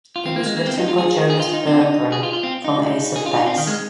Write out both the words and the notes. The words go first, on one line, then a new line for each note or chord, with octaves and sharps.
It was written by Jonas Berggren from Ace of Base.
F4
C4
A#3
G#3
A#3
C4
D#4
F4
G#4
G#4
F4
D#4
C4
D#4
G#4
F4
F4
C4
D#4
G#4
F4
D#4
C4
D#3
G#3